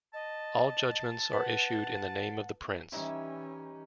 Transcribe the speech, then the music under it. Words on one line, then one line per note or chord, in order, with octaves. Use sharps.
All judgments are issued in the name of the Prince.
D#5 A5
B4 F#5
E3 G3 C#4 D#4 E4 G4 E5